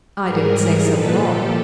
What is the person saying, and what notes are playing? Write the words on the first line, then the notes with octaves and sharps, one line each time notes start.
"I didn't say so at all."
G#2 E3 G3 G#4 A#4
A#2 F3 A4 B4
G4 A4